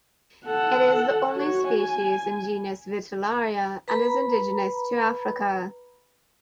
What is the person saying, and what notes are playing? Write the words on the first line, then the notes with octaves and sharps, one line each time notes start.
It is the only species in genus Vitellaria, and is indigenous to Africa.
A4 F#5
F#4 C#5
G#5
B4 A#5 B5